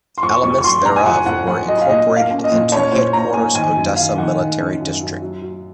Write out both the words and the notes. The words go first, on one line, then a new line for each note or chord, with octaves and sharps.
Elements thereof were incorporated into Headquarters Odessa Military District.
C6
F2 C#6
F2 C#6
C#6
F#3 C6
C3 A#5
G#5
F2 F#5
F2 F#5
F2 F#5
F#3 D#5
F5
A#2 D#5
A#3
F5
C#4
D#5
A#2
C#4 C#5
A#2 C5
A#2 A#5
A#3 G#5
D#3 G#5
F#2
D#3 F5
D#3 F#5
D#3
C#4
F#2
F#2
F#3
F#3